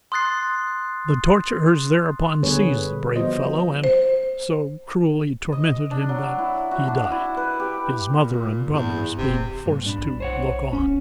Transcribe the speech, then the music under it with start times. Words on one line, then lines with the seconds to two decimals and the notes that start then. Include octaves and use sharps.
The torturers thereupon seized the brave fellow, and so cruelly tormented him that he died, his mother and brothers being forced to look on.
0.12 C6 D#6 F#6 A6 C7
2.43 D3 G3 B3 G#4 B4 C#5
3.16 F3 B3 F#4 C5 D#5
3.84 C5
5.52 D#5
5.91 D4
6.09 F#3
6.38 E4
6.71 F#4
6.88 D4
7.12 E4
7.37 B4
7.60 G4
8.06 A#2
8.70 E2 G2
9.18 F1 C3
9.66 G2 A#2
9.86 D4 B5
9.98 B1
10.20 C5 C#5 F#5
10.73 D1 C#4